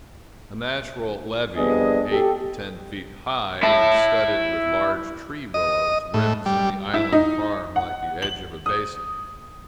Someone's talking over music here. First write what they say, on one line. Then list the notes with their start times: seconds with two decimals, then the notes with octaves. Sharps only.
A natural levee, eight and ten feet high, and studded with large tree-willows, rims in the island farm like the edge of a basin.
1.57 F2 G3 B3 D4 G#4 D#5
2.11 G4 A4
3.63 E4 A5
5.54 D#5
6.14 A2
6.46 G3
6.94 E4
7.12 D#4
7.76 F#5
8.22 F#7
8.66 D#6